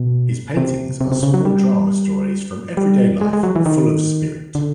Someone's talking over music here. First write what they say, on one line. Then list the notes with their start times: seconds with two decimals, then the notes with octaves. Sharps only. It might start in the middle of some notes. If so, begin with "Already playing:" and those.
His paintings are small drama stories from everyday life, full of spirit.
Already playing: B2
0.57 C3
1.01 C3
1.12 C3
1.23 C#3
1.34 F#3
1.45 G3
2.77 G3
3.21 G#3
3.33 G#3
3.43 F#3
3.56 E3
3.66 D#3
4.55 D3